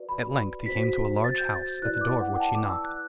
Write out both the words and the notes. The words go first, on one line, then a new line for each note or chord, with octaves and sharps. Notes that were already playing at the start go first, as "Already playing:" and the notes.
At length he came to a large house, at the door of which he knocked.
Already playing: F#4 B4 D5
B5
F#4 C5 B6
A6
G6
A6
E4 B4 D5 F#6
D6
F#5
G5
A5
D6
E6
F#6